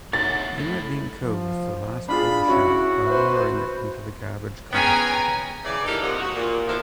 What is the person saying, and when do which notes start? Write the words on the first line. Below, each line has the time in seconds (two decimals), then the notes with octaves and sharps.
Emma then kills the last bull shark by luring it into the garbage compactor.
0.13 C#5 E5 F#5 A6
0.59 A3 E4 A4
1.20 F3
2.08 D4 F4 G#4 B5
2.48 C#4 E4 F#4
3.06 B4 C5 E5
4.73 B3 C#4 G#4 G5 G#5 A#5
5.65 C#3 E3 D5
5.87 A#3 D4 D#4 G4 A4 A#4
6.02 D#2 C3 F3 G3 D#5 F#5
6.20 F#4
6.35 A#2
6.67 B2 D#3 F3 E4 A4 A#4